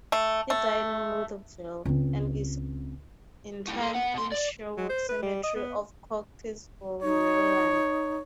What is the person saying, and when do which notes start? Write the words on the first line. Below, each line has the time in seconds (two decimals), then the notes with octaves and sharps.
He died in Lutherville, and is interred in Sherwood Cemetery of Cockeysville, Maryland.
0.12 A3
0.50 A3
1.85 C#2 C4
3.68 A2 G3
3.81 A4 C6
3.94 B3 F#5
4.14 B2 C6
4.32 D5
4.77 F#3
4.89 C5
5.09 B4
5.22 G3
5.43 D#5
5.56 B3
7.02 D#4 C#5